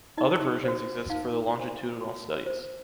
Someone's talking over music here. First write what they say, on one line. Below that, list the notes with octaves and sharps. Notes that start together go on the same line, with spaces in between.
Other versions exist for the longitudinal studies.
D#4 D#5
F#4 C5
D#4 F5
F#4 C5
F#4
C5